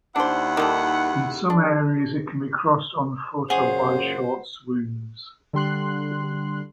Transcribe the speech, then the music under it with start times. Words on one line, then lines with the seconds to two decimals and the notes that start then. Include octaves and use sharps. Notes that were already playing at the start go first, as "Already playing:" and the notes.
In some areas it can be crossed on foot, or by short swims.
0.16 D#2 D4 E4 C5 F#5
0.57 D#3 G3 A4
1.50 D4
3.50 F#2 A#2 C#3 G#4 C5 C#5 F#5
5.53 D3 G3 C6 F#6